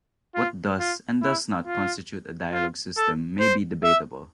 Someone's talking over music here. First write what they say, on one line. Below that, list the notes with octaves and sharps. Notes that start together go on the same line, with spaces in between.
What does and does not constitute a dialog system may be debatable.
F4
F4
E4
F4
F4
A4
C5
E5